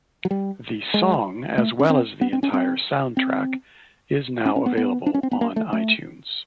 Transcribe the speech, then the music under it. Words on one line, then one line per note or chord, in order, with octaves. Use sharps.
The song, as well as the entire soundtrack is now available on iTunes.
F#3
G3
G#3
A3
C#4
C4
B3
C4
C#4
C4
C4
C#4
C#4
B3
B3
D4
C#4
C4
B3
A#3
A3
A3